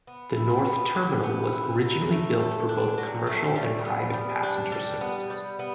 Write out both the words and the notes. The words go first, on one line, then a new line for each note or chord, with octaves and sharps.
The North Terminal was originally built for both commercial and private passenger services.
B3
E4
B3
G4
B3
E4
F#3
A3
A4
D4
F#3
A3
G3
B3
G3
D4
G3
B3
G3
B3